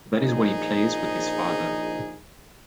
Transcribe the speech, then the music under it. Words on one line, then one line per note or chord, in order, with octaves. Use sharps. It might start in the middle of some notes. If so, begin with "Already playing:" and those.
That is what he plays with his father.
A#1 F3 D#4 G#4